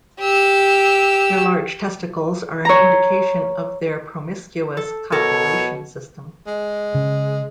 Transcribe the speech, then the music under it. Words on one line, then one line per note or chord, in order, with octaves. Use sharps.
Their large testicles are an indication of their promiscuous copulation system.
G4 E6
C#5 A#5
A4
B2 A4 A#4 C#5
G#3
C#3